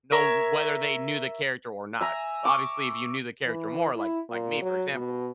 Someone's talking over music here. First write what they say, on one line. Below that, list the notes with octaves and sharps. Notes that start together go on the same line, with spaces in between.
no whether they knew the character or not. Obviously, if you knew the character more like like me, for example,
A#4 C#5 E5
E5 G#5 A#5
C#6 D6
E3
E4
A#2
F#3
B2